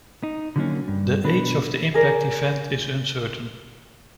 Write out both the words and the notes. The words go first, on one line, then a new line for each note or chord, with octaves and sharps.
The age of the impact event is uncertain.
D#4
D3 D#3 F#3 A3 A#3 C#4
G2
B2 D4 B4
G#4 A#4 D5